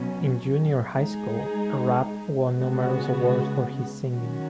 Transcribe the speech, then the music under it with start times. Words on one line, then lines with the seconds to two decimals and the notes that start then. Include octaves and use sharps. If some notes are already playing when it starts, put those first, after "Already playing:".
In junior high school, Rapp won numerous awards for his singing.
Already playing: B2 F#3 C#4
0.93 G#3 D#4 G#4
2.53 C#3 G#3 B3 F#4
4.13 D#3 F#3 C#4 F#4